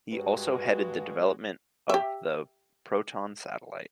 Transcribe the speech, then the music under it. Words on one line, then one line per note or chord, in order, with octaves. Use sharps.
He also headed the development of the Proton satellite.
G2 G#3 F#4
G4 E5